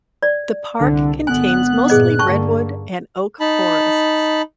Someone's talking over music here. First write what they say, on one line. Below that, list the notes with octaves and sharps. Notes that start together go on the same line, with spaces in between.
The park contains mostly redwood and oak forests.
D5
C2 D3
G#1 D3 B3 G#5 F#6
G2 A#2 E3 G#4 D#5 F#5
G2 D3 A#3 C#4 A5 C#6
D#4 A5 B5